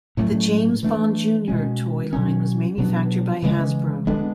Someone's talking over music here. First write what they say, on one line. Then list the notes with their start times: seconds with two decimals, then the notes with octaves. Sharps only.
The "James Bond Junior" toy line was manufactured by Hasbro.
0.17 A2 F#3 A3 C#4
0.83 E3 A3 D4
1.48 B2 G#3 C#4
2.13 B2 F#3 C#4
2.78 B2 F#3 B3 D4
3.43 C#3 E3 G#3 C#4
4.07 D3 G#3 B3 D4